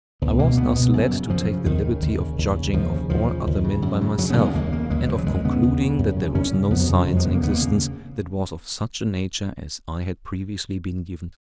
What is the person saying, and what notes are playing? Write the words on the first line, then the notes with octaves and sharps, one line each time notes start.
I was thus led to take the liberty of judging of all other men by myself, and of concluding that there was no science in existence that was of such a nature as I had previously been given to believe.
C#2 B3
B2 A#3
C#2 B3
B2 B3
F#2
C#3
F#2 F3
C#3
D#2 D#3
C#3
D#2
C#3
D#2
C#3
D#2 F3
C#3
D#2 F3
C#3
D#2
C#3
F#2
C#3
F#2 F#3
B3
C#3
G#3
D#2 A#3
C#3 A#3
D#2 G#3
F#3
C#3 F3
F#3
D#2 G#3
C#3 B3
D#2
C#3
F#2
C#3
F#2 C#4
C#3
F2 B3
F#3
C#3
F3
F2 F#3
G#3
C#3 B3
A#3
D#2 B3
A#3
C#3